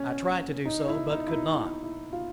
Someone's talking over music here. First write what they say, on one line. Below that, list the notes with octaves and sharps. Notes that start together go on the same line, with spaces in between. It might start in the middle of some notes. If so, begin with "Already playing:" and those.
I tried to do so, but could not.
Already playing: C#4
D#4
E4
D#4
E4
D#4
E4
E4
F4